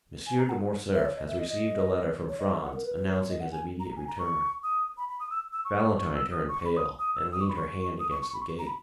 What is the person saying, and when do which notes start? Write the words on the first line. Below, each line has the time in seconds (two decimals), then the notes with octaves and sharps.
"Monsieur de Morcerf has received a letter from Franz, announcing his immediate return." Valentine turned pale, and leaned her hand against the gate.
0.27 G#5
0.39 A#5
0.49 F#5
0.94 E5
1.05 C#5
1.17 D#5
1.28 E5
1.39 D#5
1.50 D#5
2.29 C#5
2.39 D#5
2.51 E5
2.62 F#5
2.73 A#4
2.85 B4
2.95 B4
3.13 C#5
3.29 D#5
3.40 F#5
3.52 G#5
3.80 A#5
3.96 G#5
4.08 A#5
4.19 C#6
4.63 D#6
4.98 B5
5.09 B5
5.20 D#6
5.30 E6
5.53 E6
5.65 C#6
5.98 C#6
6.15 E6
6.32 D#6
6.49 C#6
6.65 B5
6.77 D#6
6.99 D#6
7.15 E6
7.32 D#6
7.41 C#6
7.50 B5
7.58 C#6
8.00 D#6
8.11 C#6
8.22 C#6
8.34 B5
8.42 C#6
8.59 A#5
8.67 B5